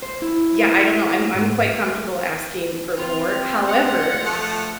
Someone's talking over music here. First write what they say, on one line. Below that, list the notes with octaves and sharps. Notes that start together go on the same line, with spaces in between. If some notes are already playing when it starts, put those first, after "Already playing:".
Yeah, I don't know, I'm I'm quite comfortable asking for more, however,
C5
E4
G#2
C4 F4
F4 F#5
F3 A3